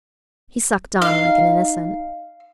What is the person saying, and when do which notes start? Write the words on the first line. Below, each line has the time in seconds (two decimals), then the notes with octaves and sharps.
He sucked on like an innocent.
1.02 D#4 F5